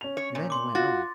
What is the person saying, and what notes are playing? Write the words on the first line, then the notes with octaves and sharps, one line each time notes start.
And then he went on.
C#4 F7
C#5
A#2
C6 D6
F4 F#4 A6